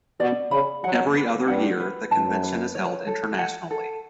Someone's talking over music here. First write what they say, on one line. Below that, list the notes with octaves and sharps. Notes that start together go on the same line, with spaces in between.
Every other year, the convention is held internationally.
B2 D5
C#3 B5
F#3 F#5
B4
G2 F#5
B4
F#2 A5
B4
C#5
A4
F#5
A4